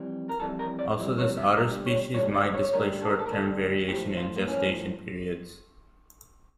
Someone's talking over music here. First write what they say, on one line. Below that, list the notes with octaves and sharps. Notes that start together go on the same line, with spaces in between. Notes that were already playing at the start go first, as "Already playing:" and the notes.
Also, this otter species might display short-term variation in gestation periods.
Already playing: F2 E3 G3
A#4
F2 E3 G3 A4
A#4
D5
F2 E3 G3
C#5
E5
D2 D3 G3 A#4
C#5
D2 D3 G3 C#5
D5
C#5
C#5
D2 D3 G3 A#4
A4
A#4
A4
A#4
D2 D3 G3 A4
A2 F3 G4
F4
A#3
A2 F3 C#4